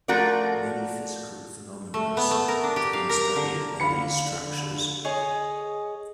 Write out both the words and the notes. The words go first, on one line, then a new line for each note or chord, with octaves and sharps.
Many physical phenomenas have been studied on these structures.
F3 A3 F#4 A#4 D5
A3
B3
A3
A#4
D4
G4
F5
A#4
A#5
D3
D3 F5 B5 C#7
G#4 C#5 D#5